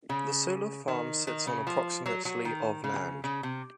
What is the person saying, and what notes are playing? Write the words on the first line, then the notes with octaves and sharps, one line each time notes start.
The solar farm sits on approximately of land.
C#3
D#3
D#3
C#3
F3
F#3
F#3
D#3
C#3
C#3
C3